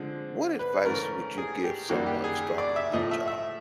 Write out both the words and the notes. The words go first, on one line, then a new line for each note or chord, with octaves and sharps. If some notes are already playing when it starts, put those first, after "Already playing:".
What advice would you give someone starting a new job?
Already playing: D3 F3 G#3 C4
B4
G#2 E3 A3 C#4 A#4
G#4
G4
F#2 D#3 G3 A#3 F#4
G4
G#4
D5
E5
A2 F3 A3 D#5
E5
E5